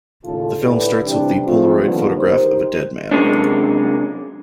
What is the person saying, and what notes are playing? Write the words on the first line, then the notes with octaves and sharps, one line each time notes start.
The film starts with the Polaroid photograph of a dead man.
D#2 A2 C#3 F4 A4
A2 D3 E4 G4 B4 D5
C3 E3 G3 C4 D4 G4
F3 G#3 A3 C4 F4
D3 D#3 F3 G3 A#3 B3
D#4 G4 A#4 C5
C3 F#3 G#3 A#3 C#4 D4